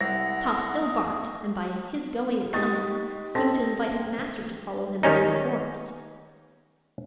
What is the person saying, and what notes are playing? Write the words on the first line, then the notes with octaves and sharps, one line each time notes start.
Top still barked, and by his going and coming, seemed to invite his master to follow him into the forest.
C2 F#5 A#6
D#6
G#3 D#4 G4 C#6 D#6 A6
C4 A4 G5 A5 C6 A#6
D#3 G3 C#4 D#4